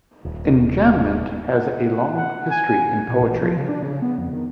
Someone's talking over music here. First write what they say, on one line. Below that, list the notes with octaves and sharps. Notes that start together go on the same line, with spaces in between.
Enjambment has a long history in poetry.
D#1
F#5
F#5
G#5
A#2
A1
F3
C#3
D4
C#3
B3
F2
D#3